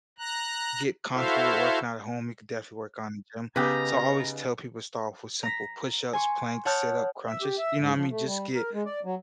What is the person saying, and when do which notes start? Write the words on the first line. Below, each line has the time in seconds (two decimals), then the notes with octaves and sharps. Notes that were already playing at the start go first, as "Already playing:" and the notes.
get comfortable with working out at home, you could definitely work on the gym. So, I always tell people to start off with simple push-ups, planks, sit-up, crunches, you know what I mean? Just get
0.18 A#5 F#6
1.13 E4 F#4 A4 C5 E5 F5
3.56 C#3 B3 D#4 G4 B4 A#5
5.43 A#5 A#6 B6
6.13 G#5 C6 C#6
6.65 C#5 F#5 A5 D#6 F6 G6
7.27 E5
7.42 G4
7.58 E5
7.80 G#2
7.96 F3
8.10 A3
8.26 G3
8.54 A#4
8.74 G#3
8.86 D5
9.05 F#3